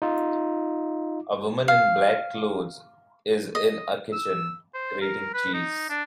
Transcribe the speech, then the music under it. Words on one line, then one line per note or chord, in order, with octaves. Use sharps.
A woman in black clothes is in a kitchen, grating cheese.
D#4 F4
F5
D#5
E6
C5
A#4
B4
D#4
D4